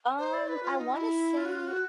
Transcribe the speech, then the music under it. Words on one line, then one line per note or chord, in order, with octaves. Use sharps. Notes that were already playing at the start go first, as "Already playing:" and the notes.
Um, I wanna say
C5
D5
B4
F4
D#4
E4
F4
F#4
F4
F#4